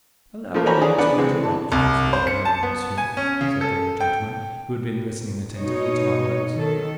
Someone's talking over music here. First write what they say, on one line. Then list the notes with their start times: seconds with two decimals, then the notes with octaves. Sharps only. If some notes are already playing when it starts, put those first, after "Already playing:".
"Allow me to interrupt you for one moment, Smith," said the old gentleman, who had been listening attentively to my words.
0.54 F3 A3 A#3
0.66 F#4 C5 C#5 G#5 A#5 B5
0.81 D4 G#4
0.98 B3 D4 B4 F#5
1.18 E3 G#3 C4
1.43 A5
1.72 C2
2.13 C5
2.27 C#7
2.45 A5
2.63 B3
2.98 G#5
3.17 C#4
3.41 C#3
3.61 A4
4.00 G5
5.57 B2 D#4 C#5
6.54 D#3 A4